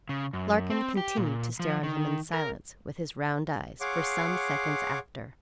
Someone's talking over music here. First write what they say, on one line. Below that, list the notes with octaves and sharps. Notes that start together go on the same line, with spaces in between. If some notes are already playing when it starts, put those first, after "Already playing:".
Larkin continued to stare on him in silence, with his round eyes, for some seconds after.
C#3
F#2
C4
G4
A#2
F3
D#3
A#4
G#4 C#5 F5 F#5 C6 D6